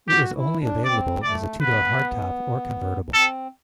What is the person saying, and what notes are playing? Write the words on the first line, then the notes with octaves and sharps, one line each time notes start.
It was only available as a two-door hardtop or convertible.
F#4 G4
E4
D4
C4 D5
A3 D5
B3 B4
C4 A4